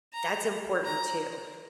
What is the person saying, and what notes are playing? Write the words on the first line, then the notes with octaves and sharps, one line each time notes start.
that's important too.
A#5
A#5